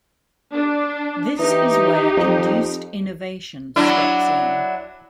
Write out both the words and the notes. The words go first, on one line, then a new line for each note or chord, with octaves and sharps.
This is where induced innovation steps in.
D4
E3 D#4 G4
F2
F#3 D4 E4